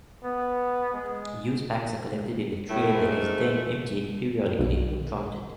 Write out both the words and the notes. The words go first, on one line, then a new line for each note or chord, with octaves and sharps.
Used packs are collected in a tray that is then emptied periodically when prompted.
B3
G#3
A2 A3
G#2
B1